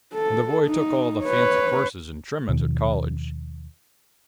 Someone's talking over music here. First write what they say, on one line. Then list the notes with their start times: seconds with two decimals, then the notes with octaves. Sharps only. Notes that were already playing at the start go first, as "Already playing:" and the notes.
And the boy took all the fancy courses and trimmings at college.
0.14 A4
0.67 D#4
1.24 B4 C#5
2.48 D#2 B2 D#3 F3